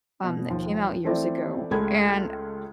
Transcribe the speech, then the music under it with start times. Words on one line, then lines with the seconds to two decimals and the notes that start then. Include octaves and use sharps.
um, that came out years ago, and,
0.24 B2
0.50 D#2 F3
1.04 E3 A3 C4 E4 D5
1.71 C#2 G#3 A3 B5 G#6